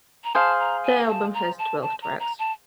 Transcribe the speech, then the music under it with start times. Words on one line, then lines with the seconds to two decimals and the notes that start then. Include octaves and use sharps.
The album has twelve tracks.
0.24 A#5
0.35 G#4 C5 F5 A5
0.60 A#5
0.84 G#5
1.08 A5
1.34 A#5
1.59 A5
1.82 A5
2.02 A#5
2.20 A#5
2.39 A5